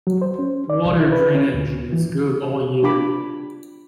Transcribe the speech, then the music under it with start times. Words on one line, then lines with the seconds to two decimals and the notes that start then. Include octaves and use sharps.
Water drainage is good all year.
0.07 F#3
0.22 C5
0.39 C#4
0.70 D5
0.85 C2
1.00 E4
1.12 B4
1.35 C#4
1.54 D2
1.93 E3
2.83 D4 F4 G4 B5 D6